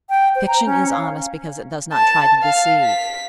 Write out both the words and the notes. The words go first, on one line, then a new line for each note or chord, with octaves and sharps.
Fiction is honest because it does not try to deceive.
G5
C5
A#5
C#4
F5
A5
F5
B6